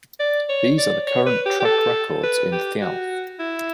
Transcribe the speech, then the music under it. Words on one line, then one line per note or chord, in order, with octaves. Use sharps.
These are the current track records in Thialf.
D5
C#5
D5
C#5
B4
G4
G4
A4
B4
G4
F#4
E4